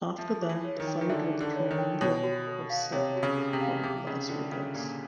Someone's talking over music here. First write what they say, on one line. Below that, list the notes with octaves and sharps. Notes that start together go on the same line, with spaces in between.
After that, the fight with Romero was set for Las Vegas.
F3 E5
G#4
E3
C#5
D#3
G5
D#3
D3 E5
G#4
D3
C#5
D#3
G5
B2 C#5
F#4
A4
F5
C3 C#5
F#4
C#3
A4
C3
F5
C3 G#4
C#3 C#4
D3 F4
C#3 C#4
A#2 G#4